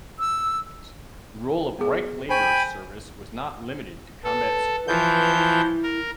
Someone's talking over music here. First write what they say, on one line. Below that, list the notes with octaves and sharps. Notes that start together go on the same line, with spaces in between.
The role of the Reich Labor Service was not limited to combat support functions.
E6
B3 G#4
C5 G5 G#5 B5 C#6
A4 B4
E3 F3 G6
E4
A#4